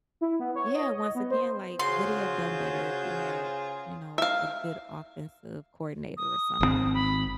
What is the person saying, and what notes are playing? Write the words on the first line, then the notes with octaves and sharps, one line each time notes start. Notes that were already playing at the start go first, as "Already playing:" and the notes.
Yeah, once again, like, would he have done better if we had, you know, a a good offensive coordinator or something?
E4
B3
C#5
D#5
B3
C5
C#3 F4 F#4 G#4 C5 C6 G6
E5 F5
D#6
G#1 D3 C4
B5